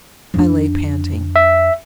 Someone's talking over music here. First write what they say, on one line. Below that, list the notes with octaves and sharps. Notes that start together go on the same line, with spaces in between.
I lay panting.
F2 D4
E5